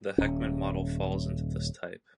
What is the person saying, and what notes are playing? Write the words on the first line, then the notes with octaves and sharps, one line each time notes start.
The Heckman model falls into this type.
D#1 C#4